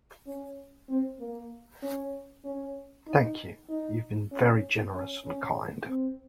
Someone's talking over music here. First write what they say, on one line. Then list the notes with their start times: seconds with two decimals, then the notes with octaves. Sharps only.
Thank you, you've been very generous and kind!
0.27 C#4
0.89 C4
1.20 A#3
1.82 C#4
2.44 C#4
3.07 D#4
3.69 D#4
4.31 C#4
4.94 C#4
5.25 C#4
5.87 C4